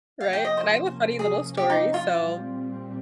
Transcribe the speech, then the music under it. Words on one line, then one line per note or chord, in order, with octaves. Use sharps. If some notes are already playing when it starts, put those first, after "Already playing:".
Right? And I have a funny little story, so
C3 F3 A#3 C#4 F5
G5
D#5
C5
G#4
G4
D#4
F4
A#2 G3 C4